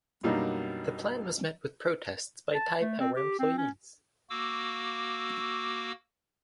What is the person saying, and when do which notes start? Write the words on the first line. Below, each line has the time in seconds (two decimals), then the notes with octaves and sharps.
The plan was met with protests by Taipower employees.
0.23 F#2 B2 G3 A#3 D4 D#4
2.55 A5
2.81 A3
3.00 C4
3.16 G4
3.39 C4
3.58 C#4
4.30 A#3 F#4 D6 E6